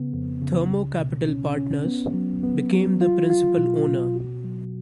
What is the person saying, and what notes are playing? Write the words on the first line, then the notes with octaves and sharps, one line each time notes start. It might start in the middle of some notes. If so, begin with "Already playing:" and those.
Thermo Capital Partners, became the principal owner.
Already playing: C#3 B3
F2
C#3
C#2
B2
C#4
C#4
B3
F#3
B3
F#3
F4
F4
B2
B2
F#4
F#3